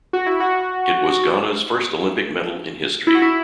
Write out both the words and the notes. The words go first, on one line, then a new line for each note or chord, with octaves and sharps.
It was Ghana's first Olympic medal in history.
F#4
E4
F#4
E4
F#4
E4